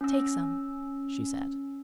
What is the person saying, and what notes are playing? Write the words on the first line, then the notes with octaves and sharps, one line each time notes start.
"Take some," she said.
C#4 E6